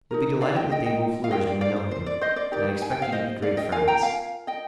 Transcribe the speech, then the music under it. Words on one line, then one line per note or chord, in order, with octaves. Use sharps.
You'll be delighted with De Boeffleurs when you know him, and I expect you to be great friends.
D#4 A#4
D5 F5
D#5 G5
D#5 G5
D#5 G5
F5
F4 A#4 D#5 G5
D5 F5
D5 F5
C5
C5
D5
C5 D#5
D5
D#4 G4 A#4 D5
G#5
G5
F5
C5 D#5
D5 F5
D#5 G5
F4 A#4 F5 G#5
G5 A#5
F5 G#5
D#5 G5